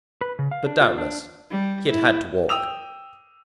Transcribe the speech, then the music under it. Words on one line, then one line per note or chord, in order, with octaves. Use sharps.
But, doubtless, he had had to walk.
B4
C#3
F5
D4
F4
D4
G3
E4
G5 D#6 E6 F7